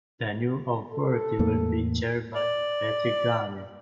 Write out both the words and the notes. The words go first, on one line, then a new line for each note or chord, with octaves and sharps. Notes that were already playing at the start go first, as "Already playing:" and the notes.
The new authority will be chaired by Patrick Garnett.
A4
E2 A2 A#3
D5